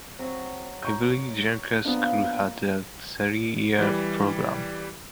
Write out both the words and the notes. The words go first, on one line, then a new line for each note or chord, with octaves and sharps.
Every junker school had a three-year program.
F#3 C4
A#5 C#6 G6
F3 A#3 B3 D4
E3 G3